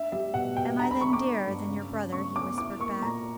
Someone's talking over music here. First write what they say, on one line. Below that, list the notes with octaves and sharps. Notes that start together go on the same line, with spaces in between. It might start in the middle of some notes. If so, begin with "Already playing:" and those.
"Am I then dearer than your brother?" he whispered back.
Already playing: D4 E5
G3 E5
B2 F#5
B2 G5
D4 A#5
B5
D3 C#6
D6
D4
G2
C#3
C#3
C#3 C#6
C#4 D6
E4 D6
A#3 C#6
A#2 A#5